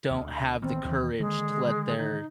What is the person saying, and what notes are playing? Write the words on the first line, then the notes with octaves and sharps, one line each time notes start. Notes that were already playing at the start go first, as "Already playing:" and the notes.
don't have the courage to let their
D2
A1 D#3 B3 C4
D#2 E3
D3 D#3 G#3 A#3
D#4